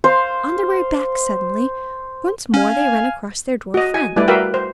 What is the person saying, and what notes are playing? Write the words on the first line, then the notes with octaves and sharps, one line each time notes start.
On their way back, suddenly, once more they ran across their dwarf friend.
C5 F5
C#4 F5 G#5
F#4 D#5
G#5
G3 A3 E4 B4 D5
F#4 A#4 B4 E5 F5 G5
C5